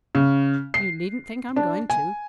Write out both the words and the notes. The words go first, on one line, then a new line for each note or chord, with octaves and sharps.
You needn't think I'm going to.
C#3
C7
D4
G#5